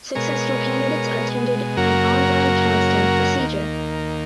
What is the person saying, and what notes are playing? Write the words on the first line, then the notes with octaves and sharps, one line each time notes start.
Successful candidates attended an online counseling procedure.
B2 G#3 A#4 C#5
F#2 C#3 F#3 A#3 F#4 A#4
D#2 D#3 A#3